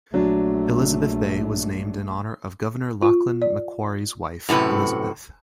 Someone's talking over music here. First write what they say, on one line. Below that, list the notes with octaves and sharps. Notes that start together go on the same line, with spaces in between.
Elizabeth Bay was named in honour of Governor Lachlan Macquarie's wife, Elizabeth.
A#1 F#3 A3 D4
F4
D5
F#2 A2 C3 B4